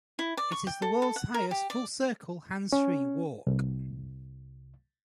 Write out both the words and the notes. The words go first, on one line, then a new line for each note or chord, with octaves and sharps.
It is the world's highest full-circle, hands-free walk.
E4
D5
C#6
G5
A4
A4
F#5
A#4
G4
D5
C#4
C2